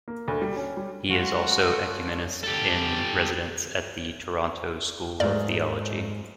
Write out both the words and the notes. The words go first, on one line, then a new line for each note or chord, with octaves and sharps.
He is also Ecumenist in Residence at the Toronto School of Theology.
A#3
D2
G3
C#4
G3
F#3 G#3 A3 C#4 F4 F#4 F#6
G4 A4
G#2 F#3 G#3 A3 D5 F5